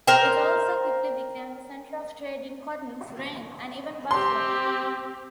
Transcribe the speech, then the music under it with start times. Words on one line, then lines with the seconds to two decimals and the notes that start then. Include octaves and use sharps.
It also quickly became the center of trade in cotton, grain, and even buffalo.
0.07 A#4 C5 G5
4.11 C4 G4 C6